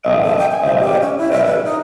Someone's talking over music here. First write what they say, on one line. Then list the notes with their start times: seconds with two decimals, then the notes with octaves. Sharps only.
uh, uh, uh
0.24 A4
0.38 G5
0.51 G#5
0.65 C5
0.79 G4
1.01 C#4
1.18 E4
1.32 E5
1.45 B4
1.65 D#4